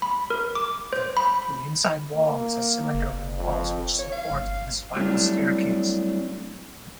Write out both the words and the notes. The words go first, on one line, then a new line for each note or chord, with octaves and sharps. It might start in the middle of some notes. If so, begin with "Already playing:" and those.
The inside wall is a cylinder with walls which support the spiral staircase.
B5
A#4
D6
C5
B5
A#3
F#1
F2
C#5
F5
G1
F#3 G3 A3 C4 D4 E4